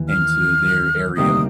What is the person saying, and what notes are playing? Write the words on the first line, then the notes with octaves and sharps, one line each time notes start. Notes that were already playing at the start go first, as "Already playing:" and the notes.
came to their area
Already playing: D#2 E3
F6
D2 C3 D#3 G3 A#3 D#6